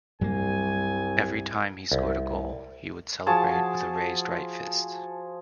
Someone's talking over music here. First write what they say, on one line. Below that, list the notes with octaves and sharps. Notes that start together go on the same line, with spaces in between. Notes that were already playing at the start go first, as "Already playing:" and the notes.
Every time he scored a goal he would celebrate with a raised right fist.
C2 G2 F#3 G3 A#3 G#5
C2
F3 F#4 G#4 A5